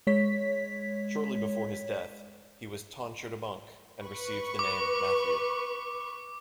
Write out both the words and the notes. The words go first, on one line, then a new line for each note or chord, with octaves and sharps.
Shortly before his death he was tonsured a monk and received the name "Matthew".
G#3 C#5 B6
B4 C#6
D6